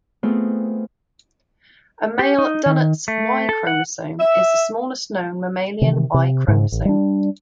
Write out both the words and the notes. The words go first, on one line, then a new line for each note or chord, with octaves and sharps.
A male dunnart's Y chromosome is the smallest known mammalian Y chromosome.
A3 B3 C4 F4 G#4
G4
D#4
D#3
A3
A4
F#5
E5
C3 D#3 E3
C3
G#2 C#3
A1
G3 D4